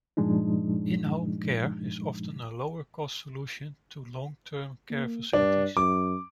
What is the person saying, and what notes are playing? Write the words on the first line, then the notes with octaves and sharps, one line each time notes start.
In-Home Care is often a lower cost solution to long-term care facilities.
G2 A#2 F3 G#3 D4 D#4
A#3
G2 D4
F#2 D6